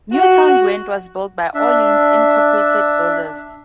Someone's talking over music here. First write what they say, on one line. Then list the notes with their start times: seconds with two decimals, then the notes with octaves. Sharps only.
Newtown Grant was built by Orleans, Incorporated builders.
0.13 F#4
1.54 D4 E5